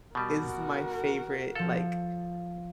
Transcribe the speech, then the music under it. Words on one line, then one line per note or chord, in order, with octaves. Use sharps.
is my favorite, like,
B2 G3 F#4 A#4
F3 A4 F5